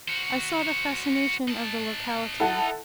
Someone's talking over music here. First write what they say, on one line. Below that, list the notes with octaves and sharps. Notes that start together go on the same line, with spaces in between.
I saw the fascination of the locality.
F#4 C5
D#4 A5
E4 A4 F#5